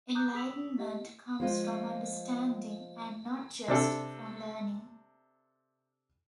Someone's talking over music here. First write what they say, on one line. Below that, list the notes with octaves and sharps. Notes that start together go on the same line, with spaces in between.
Enlightenment comes from understanding and not just from learning.
A#5 D6 D#6 F#6 G6
G#4 D#6 E6 B6 F7 F#7
E4 G4 D#5 F#5
F3 G#3 F4 C5
C3 D4 A4